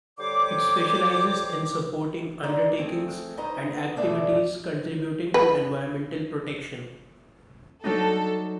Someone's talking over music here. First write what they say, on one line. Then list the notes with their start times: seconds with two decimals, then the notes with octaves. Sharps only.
It specializes in supporting undertakings and activities contributing to environmental protection.
0.19 D3 G3 C5 C#5 D6
2.43 D#4 C5 D5
2.77 A3 C4 G#4
3.37 C#3 D#4 B4 C5 D#5 A#5
3.96 D2 B2 A3 G#4 D5 E5
5.34 B4
7.84 F#3 D4 D#4 A4